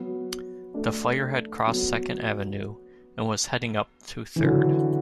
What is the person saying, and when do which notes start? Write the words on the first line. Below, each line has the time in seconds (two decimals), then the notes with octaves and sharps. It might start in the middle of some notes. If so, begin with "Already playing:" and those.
The fire had crossed Second Avenue, and was heading up to Third.
Already playing: F#3 B3
0.74 A3 D4
1.67 F#3 B3
4.36 E3
4.42 D3 F#3